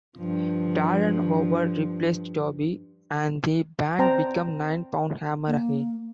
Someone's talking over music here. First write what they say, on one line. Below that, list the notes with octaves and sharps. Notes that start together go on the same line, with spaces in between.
Darren Howard replaced Toby, and the band became Nine Pound Hammer again.
G2 F3
C4 C5 D5 G5 A5 A#5
A#3